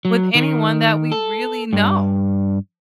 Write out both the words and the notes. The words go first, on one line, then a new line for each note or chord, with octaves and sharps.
with anyone that we really know.
F#3
D#3
A4
G2